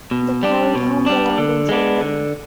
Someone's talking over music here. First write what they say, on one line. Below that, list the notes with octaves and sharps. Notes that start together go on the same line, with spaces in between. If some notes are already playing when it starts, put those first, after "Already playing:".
They carried home belongings with them.
B2
G3 D4
B2
G3 D4
D3
G#3 B3 D4
D3